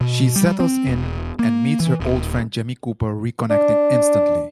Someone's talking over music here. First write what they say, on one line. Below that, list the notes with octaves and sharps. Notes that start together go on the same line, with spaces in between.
She settles in, and meets her old friend Jimmy Cooper, reconnecting instantly.
B2
G3
C4
E1
A#3
E3
D#1
D4